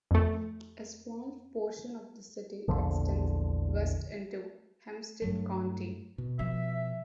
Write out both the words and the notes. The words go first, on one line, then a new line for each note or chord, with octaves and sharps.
A small portion of the city extends west into Hempstead County.
F2 A3
A#1 E2 D3 F3
G2 F#3 A3
B2
F3 E5